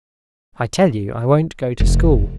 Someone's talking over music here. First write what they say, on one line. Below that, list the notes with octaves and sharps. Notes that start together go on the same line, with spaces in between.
"I tell you I won't go to school."
F1